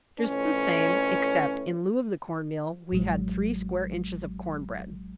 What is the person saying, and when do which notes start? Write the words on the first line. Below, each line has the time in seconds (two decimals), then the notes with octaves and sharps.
"Just the same, except, in lieu of the corn-meal, we had three square inches of corn bread."
0.19 F2 A2 C#4 B4
2.92 A1 F#3 G#3